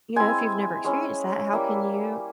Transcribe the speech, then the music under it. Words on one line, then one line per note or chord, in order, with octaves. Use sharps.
you know, if you've never experienced that, how can you
G#3 C4 E4 G#5
G#3 C#4 E4
G3 A#3 E4